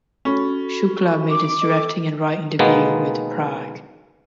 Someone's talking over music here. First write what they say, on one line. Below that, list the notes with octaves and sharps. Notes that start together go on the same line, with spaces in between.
Shukla made his directing and writing debut with "Prague".
C#4 F#4 A4 B5
D#4 D6
A4 D#5
B2 D#3 G#3 A#3 B3